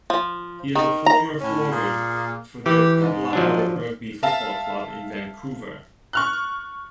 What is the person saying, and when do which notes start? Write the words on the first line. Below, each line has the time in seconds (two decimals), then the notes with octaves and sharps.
He is a former forward for the Capilano Rugby Football Club in Vancouver.
0.10 F3
0.75 D#3
1.06 A#5
1.40 A2 C#4
1.72 A#2 A#3 G#4
2.66 E3 G4
3.00 G#2
3.33 F3 F#3 D4
4.23 E5 F5 A5
6.13 C#6 F6 F#6